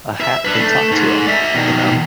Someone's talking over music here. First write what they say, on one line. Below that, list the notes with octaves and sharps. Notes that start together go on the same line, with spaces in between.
A hat they talk to 'em, you know.
E5
D4 B4
A3
G#2
D5 E5
B2 D#3